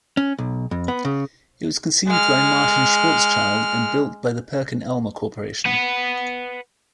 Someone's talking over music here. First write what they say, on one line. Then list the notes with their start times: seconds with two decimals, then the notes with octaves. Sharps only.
It was conceived by Martin Schwarzschild and built by the Perkin Elmer Corporation.
0.17 C#4
0.38 B1
0.71 F2
0.88 B3
1.05 C#3
2.07 G#3 F6
5.66 B4 F#5